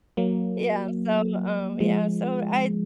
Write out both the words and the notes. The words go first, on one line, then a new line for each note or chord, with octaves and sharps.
Yeah, so, um, yeah, so, I'd
F#3 A#3
F3 G#3